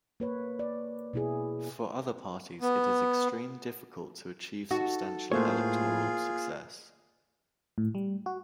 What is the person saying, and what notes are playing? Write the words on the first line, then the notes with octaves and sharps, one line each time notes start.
For other parties it is extreme difficult to achieve substantial electoral success.
A#3 B4 C#5
D5
B2 E4 G#4
B3
D#4 F#4 A4
A2 A3 A#3 F4 G#4 C5 C#5
A2
G3
F#4